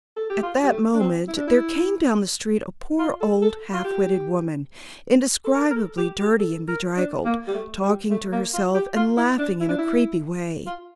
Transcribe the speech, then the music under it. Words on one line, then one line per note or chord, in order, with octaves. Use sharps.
At that moment there came down the street a poor old half-witted woman, indescribably dirty and bedraggled, talking to herself and laughing in a creepy way.
A4
G4
F4
G3
A3
D4
C4
E4
D4
E4
F4
A4
A4
F4
G4
A4
A#4
A#4
A4
G4
G4
A4
A#4
D4
A#3
G3
A3
G3
A3
A#3
F4
G4
F4
E4
D4
E4
D4
E4
F4